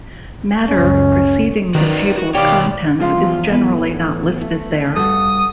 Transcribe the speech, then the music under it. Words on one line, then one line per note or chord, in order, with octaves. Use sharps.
Matter preceding the table of contents is generally not listed there.
C#2 F#2 C#4
D#3 F#4 B4 D5
F#4
B2 G4 C#5 D5 F5
C#3 F3 G#3 F4 C5 F5
E2
A2 B3 B4
A3
G2 F#4 A4 D#6